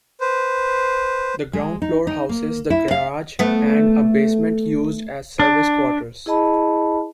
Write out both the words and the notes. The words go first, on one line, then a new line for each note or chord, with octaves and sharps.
The ground floor houses the garage and a basement used as service quarters.
B4 C5
G#3
D#4
D#4
A#3
E4
F5
A3 B3
D4
E4 G#4 D#5 A5 B5